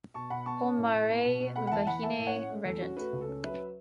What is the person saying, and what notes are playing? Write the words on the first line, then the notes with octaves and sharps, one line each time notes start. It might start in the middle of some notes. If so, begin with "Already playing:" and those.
Po-maré Vahiné Regent.
B2 A5 C#6
B2 F#5 B5
B3 A5 C#6
C#4
A2
A2
B3
B2
B2
A3 F#5 B5
F#5
E2 E5 A5
E2 F#5 B5
A3 E5 A5
A2
C#5 F#5
C#4
A3
E2 A4
C#4 F#4
A3 F#4 B4
C#2
A4
C#4
F#3 B4 E5